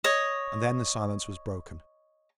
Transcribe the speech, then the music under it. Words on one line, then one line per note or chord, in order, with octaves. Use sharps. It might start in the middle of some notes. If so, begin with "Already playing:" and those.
And then the silence was broken.
C#5 D#5